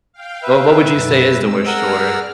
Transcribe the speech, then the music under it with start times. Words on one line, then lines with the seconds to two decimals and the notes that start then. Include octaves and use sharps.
Well, what would you say is the worst chore?
0.12 F5 G5
0.43 B4 E5
0.91 F#2 B2 A6
1.33 G#3 C4 E6
1.67 G#4 A#4 D5 F#5 E6 F6